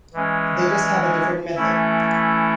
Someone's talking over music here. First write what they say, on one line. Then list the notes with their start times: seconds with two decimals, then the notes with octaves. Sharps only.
They just have a different method.
0.13 E3 G#3 C#4
1.56 E3 A3 C#4 E4